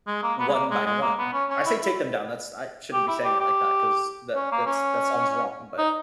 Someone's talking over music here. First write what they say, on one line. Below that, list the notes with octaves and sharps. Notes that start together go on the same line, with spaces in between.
one by one. I say take them down, that's I shouldn't be saying it like that ‘cause that that's that sounds wrong, but
G#3
A#3
B3
G#3
A#3
G#3
G#3
A#3
B3
C#4
C#4
E4
E4
G4
E4
G4
G4
C#4
A#3
C#4
D#4